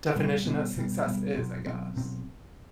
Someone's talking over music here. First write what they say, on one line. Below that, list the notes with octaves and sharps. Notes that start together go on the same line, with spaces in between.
definition of success is, I guess.
B2 G3 B3
B2 G3 B3
B2 G3 B3
B2 G3 B3
B2 F#3 C4
B2 F#3 C4
B2 F#3 C4